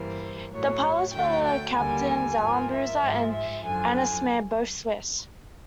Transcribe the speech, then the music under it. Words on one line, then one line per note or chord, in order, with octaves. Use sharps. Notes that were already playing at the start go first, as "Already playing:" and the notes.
The pilots were Captains Armbruster and Ansermier, both Swiss.
Already playing: G2 E3 G3 A#3 C5
A2 F#3 A3 C#5
D2 D3 F#3 A3 G5
G5
D#2 D3 G3 A#3 G#5
G#5
G#2 F3 A#3
E5
G#2 F3 G#3
E5
F#2 D3 F3 G#5
G#5